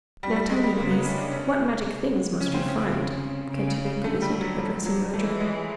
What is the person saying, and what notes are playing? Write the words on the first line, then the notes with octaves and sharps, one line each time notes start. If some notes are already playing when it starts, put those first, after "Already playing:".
"Now tell me, please, what magic things must you find?" continued the Wizard, addressing Ojo.
G3
G3
G#3
G3
C#3 A#3
B3
C#4
D4
C3 C#4
C#3 C#4
C4
C#4
C#3
D3 A3
G3
F#3
F3
F#3
E3 A3
G#3